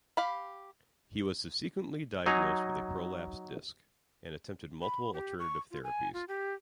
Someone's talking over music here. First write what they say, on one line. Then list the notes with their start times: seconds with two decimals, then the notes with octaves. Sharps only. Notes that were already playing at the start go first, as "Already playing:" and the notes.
He was subsequently diagnosed with a prolapsed disc, and attempted multiple alternative therapies.
0.17 G4 F5 B5
2.26 F#3 D#4 G#5 A#5
4.82 B5
5.13 G4
5.39 C#6
5.71 F4
5.84 G#5
6.13 F4
6.28 G4